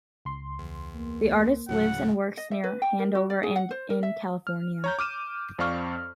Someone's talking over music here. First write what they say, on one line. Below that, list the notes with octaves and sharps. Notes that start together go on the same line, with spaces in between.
The artist lives and works near Hanover and in California.
C#2 C6
E2
A#3
D2 A2 C#3 F#3 F#5
D#5
E5
B4
G5
A#4
F#4
D5
G#4
F#5
C5
A#4
E5
F6
C#5 A#5 G6
D6 F6 D#7 E7
F2 C4 D5 F5 C#6 F6